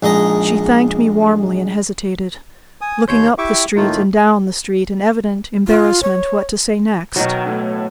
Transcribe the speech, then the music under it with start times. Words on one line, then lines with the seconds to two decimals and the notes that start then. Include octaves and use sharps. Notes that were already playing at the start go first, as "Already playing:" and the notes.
She thanked me warmly, and hesitated, looking up the street and down the street in evident embarrassment what to say next.
0.03 A#1 G#3 D#4 D#5
2.81 G#5 D#6
3.08 D#2 C#5 C6 G6
3.38 E4 G4 E5 G5 C#6 D6
3.76 A2 D#3 A3 A#3 D#4 F4
5.67 F4
6.03 C#5
7.16 B2 D#3 F#3
7.46 A2